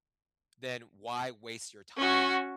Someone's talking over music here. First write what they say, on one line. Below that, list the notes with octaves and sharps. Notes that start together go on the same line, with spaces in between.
then why waste your time
C#4 F#4